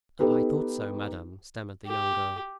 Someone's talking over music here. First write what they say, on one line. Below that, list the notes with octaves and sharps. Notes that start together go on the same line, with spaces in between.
"I thought so, madame," stammered the young girl.
B3 D#4 G4 A4 B4
G4